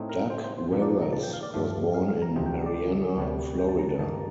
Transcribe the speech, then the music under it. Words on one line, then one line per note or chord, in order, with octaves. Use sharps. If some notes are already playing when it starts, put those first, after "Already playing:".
Doug Weathers was born in Marianna, Florida.
Already playing: A2 A3 C4 D#4
A#4
C5
C5
C5
A#2 F3 A#3 D4
D5
A#5
A5
G5
F5
D5
G2 F3 A3 F5
F5
F5
A#5
D2 C3 F3 C4 D#4
G5
D5
D2 C3 G3
G5
A5
A#5
A5
G2 D#3 A#3 D#4 A5